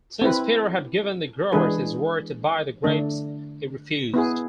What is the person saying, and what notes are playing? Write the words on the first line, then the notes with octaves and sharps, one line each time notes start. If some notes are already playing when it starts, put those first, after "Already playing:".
Since Peter had given the growers his word to buy the grapes, he refused.
C4 E4 B4
E3 G#3 D4 G#4 B4
D3 A3 D4
B3 E4 G#4